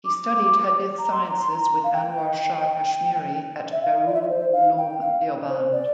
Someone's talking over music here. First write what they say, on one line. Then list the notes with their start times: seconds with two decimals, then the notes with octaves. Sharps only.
He studied hadith sciences with Anwar Shah Kashmiri at Darul Uloom Deoband.
0.05 D6
0.99 A#5
1.12 C6
1.25 A#5
1.39 C6
1.51 A#5
1.84 F5
1.93 G5
3.72 E5
3.82 F5
4.06 D5
4.14 E5
4.22 D5
4.29 C5
4.53 F5
4.78 G5
5.01 F5
5.48 C5
5.72 D5